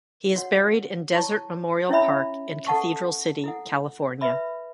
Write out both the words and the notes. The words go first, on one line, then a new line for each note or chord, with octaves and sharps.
He is buried in Desert Memorial Park in Cathedral City, California.
F#4 C#5 F#5
E4 C#5 A5 C#6
C#4 E4 C#5 E5 B5
A4 F#5 A5 C#6
E4 A4 F#5
B4 E5 B5